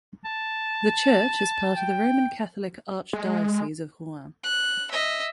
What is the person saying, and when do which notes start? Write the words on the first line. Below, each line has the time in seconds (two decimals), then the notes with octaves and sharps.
The church is part of the Roman Catholic Archdiocese of Rouen.
0.25 A5
1.76 G5
3.13 G#3
4.44 F#6
4.91 D#5 E5